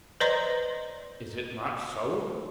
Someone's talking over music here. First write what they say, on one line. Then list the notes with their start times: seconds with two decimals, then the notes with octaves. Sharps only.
Is it not so?'
0.20 B4 C5 D5 D#5 A#5 C6